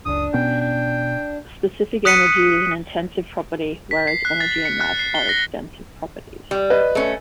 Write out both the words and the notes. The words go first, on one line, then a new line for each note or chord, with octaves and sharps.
Specific energy is an intensive property, whereas energy and mass are extensive properties.
F#1 C#2 D4 D#6
B2 B3 C#4 G5
G5
D#6 F#6 B6 C#7 D#7
B6
C7
F#6
A6
C#7
F#6
C7
G7
A#6
G3
B4 D#5
A3 C#4